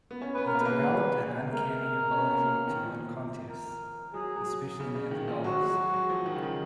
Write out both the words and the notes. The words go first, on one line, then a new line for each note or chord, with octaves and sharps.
He developed an uncanny ability to win contests, especially near the goals.
B3
C#4
B3 B4
A#4
A#3
B4
A#3
G#3
G#3 A#4
C#4
B3
A#3
D#3
F3
A#4
F#3 G#4
F#3
C#3
C#3
D#3
F3
F#3 F#4
G#3
G#3
F#3
F3
D#3
C#3
D#3